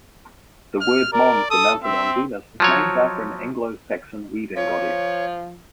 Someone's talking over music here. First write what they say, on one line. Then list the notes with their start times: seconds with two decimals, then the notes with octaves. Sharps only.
The Wyrd Mons, a mountain on Venus, is named after an "Anglo-Saxon weaving goddess".
0.81 F6
1.13 A#4 D5
1.51 A4 D#6
1.83 C4 E5
2.60 F3 F#3 C#5
4.56 F3 C#5